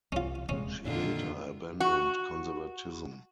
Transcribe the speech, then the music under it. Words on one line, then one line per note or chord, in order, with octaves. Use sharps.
She later abandoned conservatism.
C2 C#4 F4
D#1 C3 G#3 C#4
F2 A#2 D3 D#3 F4
F#4